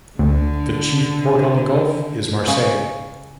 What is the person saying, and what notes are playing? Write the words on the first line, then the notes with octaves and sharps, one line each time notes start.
The chief port on the gulf is Marseille.
D2 D3
C#3